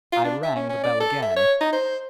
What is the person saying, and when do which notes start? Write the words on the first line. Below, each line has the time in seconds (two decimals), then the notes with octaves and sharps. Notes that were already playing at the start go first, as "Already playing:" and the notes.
I rang the bell again.
0.12 F4
0.24 D4
0.43 E5
0.56 C#4
0.69 C#4
0.83 D5
1.00 A4
1.22 E5
1.36 C#5
1.61 D#4
1.72 C5